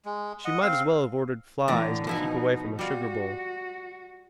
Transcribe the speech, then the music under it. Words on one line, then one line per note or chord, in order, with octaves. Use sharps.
She might as well have ordered flies to keep away from a sugar-bowl.
G#3
D#5 F#5
C4 F5
A2 D3 E3 D5 A#5
B2 F3 D#4 E4 G#5
G3 F4 F#4